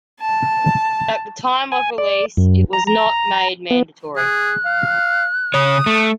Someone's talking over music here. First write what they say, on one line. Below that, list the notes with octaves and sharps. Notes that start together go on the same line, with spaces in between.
At the time of release, it was not made mandatory.
A5
G#5
D5
F#2
A#5
A#5
B3
G#4 F#6
F5
C#3 C#5 D#6
A3